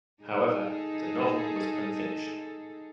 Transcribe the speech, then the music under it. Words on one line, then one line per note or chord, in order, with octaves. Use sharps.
However, the novel was unfinished.
D#4 G#4 A4